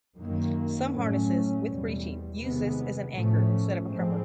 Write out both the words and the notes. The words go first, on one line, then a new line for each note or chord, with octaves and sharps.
Some harnesses with breeching use this as an anchor instead of a crupper.
F#2 D#3 F#3 A#3
A2 F#3 A3 C#4
E2 B2 G3
C3 D#3 G#3 B3
A2 F3 A3 C#4
A2 F3 G#3 C4